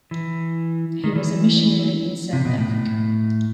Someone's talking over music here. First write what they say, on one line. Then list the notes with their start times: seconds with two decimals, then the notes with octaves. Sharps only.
He was a missionary in South Africa.
0.11 E3
1.04 D#3
1.16 E3
2.33 C3
2.45 B2
2.58 A2
2.71 A2